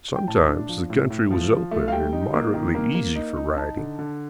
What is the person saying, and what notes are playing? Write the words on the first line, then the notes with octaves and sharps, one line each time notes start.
Sometimes the country was open and moderately easy for riding.
G5
A2 A5
D4
F3
A2
A2
F3
F3
A3
F5
G3 G5
D#4
A#3
D#3
A#3
A#3
D#4
D#4
D#4 A5
D3
D3